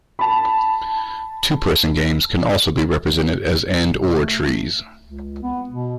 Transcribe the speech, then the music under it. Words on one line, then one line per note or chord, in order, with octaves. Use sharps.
Two-person games can also be represented as and-or trees.
A5 B5
B2
A3
C#2
B3
B2